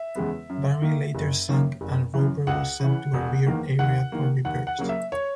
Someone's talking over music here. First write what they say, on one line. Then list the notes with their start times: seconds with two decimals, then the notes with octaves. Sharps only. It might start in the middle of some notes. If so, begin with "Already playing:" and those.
"Barry" later sank, and "Roper" was sent to a rear area for repairs.
Already playing: E5
0.15 E2 C#3 G#3 B3
0.49 F#2
0.82 D#3 A#3
1.15 F#1
1.49 F#2 D#3 A#3
1.81 F#1
2.14 F#2 E3
2.47 C#2 F#5
2.80 C#3 E3
3.14 E1
3.46 E2 D#3 A#3
3.79 D#2 F#5
4.12 D#3 A#3
4.45 D#2 F#5
4.67 F#5
4.78 C#3 F#3 A#3
4.89 E5
5.12 C#5